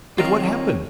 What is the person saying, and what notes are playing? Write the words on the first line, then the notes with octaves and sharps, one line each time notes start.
'But what happened?
D#3 C4 F4 A#4 C#5 F5